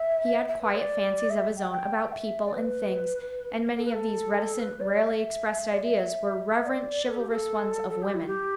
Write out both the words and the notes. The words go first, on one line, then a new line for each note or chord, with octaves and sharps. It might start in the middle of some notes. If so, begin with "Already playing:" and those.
He had quiet fancies of his own about people and things, and many of these reticent, rarely-expressed ideas were reverent, chivalrous ones of women.
Already playing: E5
E5
B4
D5
E5
G5
G5
E5
D5
B4
A4
B4
A4
B4
D5
D5
E5
D5
E5
E5
D5
A4
G4
A4
A4
G4
E4
G4